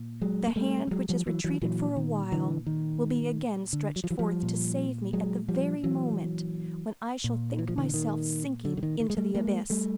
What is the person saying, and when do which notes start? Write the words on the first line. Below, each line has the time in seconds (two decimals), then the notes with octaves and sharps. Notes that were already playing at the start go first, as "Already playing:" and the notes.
The hand which has retreated for a while will be again stretched forth to save me at the very moment when I shall think myself sinking into the abyss.
Already playing: A#2
0.22 F#3 G#3
0.47 A#3
0.56 G3 A3
0.87 G3
0.91 F#3 G#3
1.09 F3 G3
1.27 E3 F#3
1.44 E3 F#3
1.62 A#2 E3 F#3
1.97 D#3
2.32 D3 E3
2.67 D#3
3.73 D3
3.96 F#3
4.04 F3
4.10 E3 F#3
4.19 F3 G3
4.43 A#2
5.13 F#3 G#3
5.48 F3 G3
5.84 E3 F#3
7.24 A#2
7.59 E3
7.68 F3
7.78 D3 E3
7.94 D#3
8.65 D3
8.77 D3
8.83 D#3
9.00 D#3
9.10 G#3
9.17 G3 A3
9.35 G#3 A#3
9.70 G3 A3